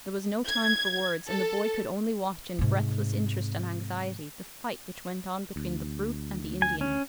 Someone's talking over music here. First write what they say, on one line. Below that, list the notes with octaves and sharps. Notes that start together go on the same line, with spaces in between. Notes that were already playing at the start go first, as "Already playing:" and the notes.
There was no time for words, and the boy could only watch in breathless interest and anxiety the fight which went on between the brute and the Indian.
G#6
A4
G#2 C3
D2
G#5
C#4